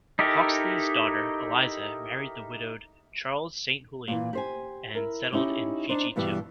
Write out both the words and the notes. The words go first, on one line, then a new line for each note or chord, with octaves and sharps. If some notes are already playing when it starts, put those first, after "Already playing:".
Hawksley's daughter, Eliza, married the widowed Charles Saint Julian and settled in Fiji too.
D#4 E4 G4 A4 A#4
A#2 E3
G4 C5 G#5
E4 A#4
C#4 D#4 E4 G4 D#5
D4 D#4 C5
G2 B2 E3 G3 G4